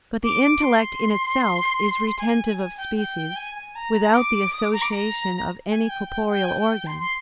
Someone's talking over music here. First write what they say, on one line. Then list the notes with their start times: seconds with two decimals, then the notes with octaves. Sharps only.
But the intellect in itself is retentive of species, without the association of any corporeal organ.
0.24 D6
0.43 D6
0.63 C6
2.19 G#5
2.57 G#5
2.77 G5
2.96 G5
3.36 G#5
3.55 G#5
3.75 A#5
4.14 D6
4.53 D#6
4.62 D6
4.73 A#5
4.82 D6
4.91 A#5
5.70 G#5
5.89 G5
6.09 G5
6.28 G5
6.44 G#5
6.48 G5
6.87 C6
6.99 C6